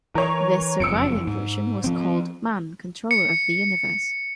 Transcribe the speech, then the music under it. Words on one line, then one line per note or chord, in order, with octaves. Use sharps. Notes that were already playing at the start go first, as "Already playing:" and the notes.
This surviving version was called "Man, Controller of the Universe".
E3 A#4 C#5
F#1 F2 E6 C#7 D7
G#2
F3 C4
C#7